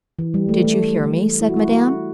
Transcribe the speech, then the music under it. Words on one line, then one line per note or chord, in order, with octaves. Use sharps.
"Did you hear me?" said Madame.
E3
G3
A3
A3
E4
F#4
E4
F#4